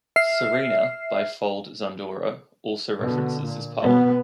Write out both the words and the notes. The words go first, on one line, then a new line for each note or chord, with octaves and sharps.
"Serena" by Fold Zandura also references this poem.
E5 F6 C7
B2 D3
A#2
B2 B3